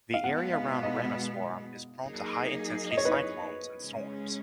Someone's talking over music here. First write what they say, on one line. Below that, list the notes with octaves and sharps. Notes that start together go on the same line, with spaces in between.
The area around Rameswaram is prone to high-intensity cyclones and storms.
F5
B2 G#3 B3 F#5
F5
D#5
F#3 A#3 D#4 G#4
D#5
C#5
B4
C#5
C#3 G#3 C#4